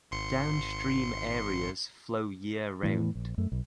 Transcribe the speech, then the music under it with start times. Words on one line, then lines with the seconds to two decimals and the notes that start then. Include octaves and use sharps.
Downstream areas flow year round.
0.11 G#1 C6 C#7
2.83 A2 E3
3.15 A#1
3.38 F#2 A3
3.52 B1